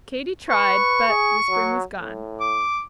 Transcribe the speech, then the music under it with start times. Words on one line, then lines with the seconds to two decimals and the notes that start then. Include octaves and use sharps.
Katy tried, but the spring was gone.
0.50 B4 C#6
1.09 G#4
1.50 F#3
2.00 A2
2.40 D6